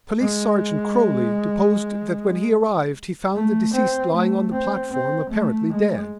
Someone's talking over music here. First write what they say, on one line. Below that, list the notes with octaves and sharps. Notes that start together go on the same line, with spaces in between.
Police Sergeant Croly deposed that when he arrived he found the deceased lying on the platform apparently dead.
G#3
A3
C4
A3
C4
C4
A3
G#3